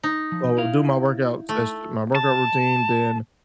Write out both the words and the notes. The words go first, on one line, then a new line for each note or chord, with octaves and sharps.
So, do my workout session my workout routine, then,
D#4
F3
E4 F5
A3
A5